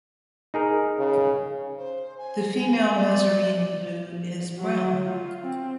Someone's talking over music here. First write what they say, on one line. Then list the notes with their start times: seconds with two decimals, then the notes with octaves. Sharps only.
The female Mazarine blue is brown.
0.54 D#4 G#4 A#4
0.99 C#3
1.78 C5
2.18 G#5
2.95 D5
4.58 F#3
5.05 F4
5.44 C4